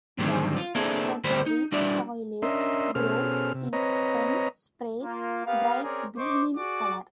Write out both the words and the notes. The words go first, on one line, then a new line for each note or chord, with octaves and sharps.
The feathery foliage grows in dense sprays, bright green in color.
G#2 D3 D#3 F#3 G3 C4
F4
A#3 C4 D4 E4 G#4 A4
D2 A2 G3 A3 C5 B5
D#4
G3 D4 E4 F#4 D5 E5
C#4 D4 A#4 D#5 E5 C6
B2 C#4 G#4 A4 C5 F6
C3
C4 B4 C#5 D#5 A#5
A#3 F4
B3 G4 A#4 F5
C4 C#4 G#4 A#4 C#5 D5
C5 D#5 C#6 D6
F#4 G#4 D5 D6